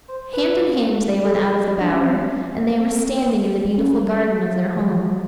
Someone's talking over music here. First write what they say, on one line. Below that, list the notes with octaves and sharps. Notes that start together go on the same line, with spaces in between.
Hand in hand they went out of the bower, and they were standing in the beautiful garden of their home.
C5
B4
A4
G#4
G4
D4
C#4
C4
C4
C#4
G3
F#3
E3
F3
F#3